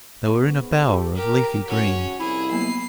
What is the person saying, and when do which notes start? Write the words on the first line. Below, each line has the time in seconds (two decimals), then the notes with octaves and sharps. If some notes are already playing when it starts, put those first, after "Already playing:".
They were in a bower of leafy green.
0.25 G#2 B3 B5 C#6
0.86 G4 A4
1.16 G4 A#4
1.68 G#1 F#3 C#4 F#4 C#5
2.20 C2 F2 E4 G#4
2.52 F#3 A#3 B3 C7